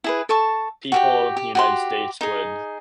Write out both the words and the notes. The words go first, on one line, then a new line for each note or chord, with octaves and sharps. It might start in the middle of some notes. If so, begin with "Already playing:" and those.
people of the United States would
E4 G#4 B4
A4 A5 C#6
F#4 G4 G5
G4
F#4 G4 C6
D#4 G#4